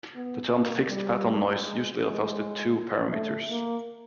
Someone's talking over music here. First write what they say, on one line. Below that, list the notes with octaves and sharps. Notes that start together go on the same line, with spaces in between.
The term "fixed pattern noise" usually refers to two parameters.
B3
A#3
G3
G#3
G#3
A3
A#3